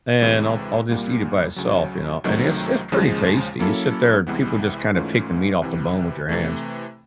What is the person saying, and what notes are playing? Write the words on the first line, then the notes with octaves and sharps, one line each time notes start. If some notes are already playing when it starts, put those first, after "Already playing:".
and I'll I'll just eat it by itself, you know? And it's it's pretty tasty, you sit there and people just kinda pick the meat off the bone with your hands.
D2 C3 E3 G#3
C2 A#2 G3 A#3
D2 C#3 F#3
C#2 C3 D#3 F#3 A3
D#2 C#3 F3 G#3
F#3 A#3 C#4 E4 A4
C2 C3 E3 G#3 B3
G#2 E3 A3 C#4 F4
C2 C3 E3
C3 E3 A3